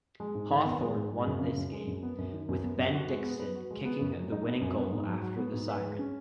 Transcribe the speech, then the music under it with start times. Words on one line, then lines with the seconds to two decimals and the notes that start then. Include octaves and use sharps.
Hawthorn won this game, with Ben Dixon kicking the winning goal after the siren.
0.20 G#3
0.35 G#2
0.50 D#3
0.65 B3
0.81 G#3
0.96 G#2
1.11 G#3
1.26 F#2
1.41 C#3
1.57 F#2
1.73 G#3
1.87 F#2
2.03 B3
2.18 F#2
2.33 D#3
2.49 F#2
2.63 B3
2.79 F#2
2.94 F#4
3.09 G#3
3.25 B3
3.40 B4
3.55 F#4
3.71 G#3
3.85 B3
4.01 F#2
4.17 F#3
4.32 D#4
4.47 B3
4.61 F#2
4.77 B3
4.92 G#2
5.07 F#3
5.23 F#4
5.38 B3
5.53 G#2
5.69 B4
5.84 G#3
5.99 C#4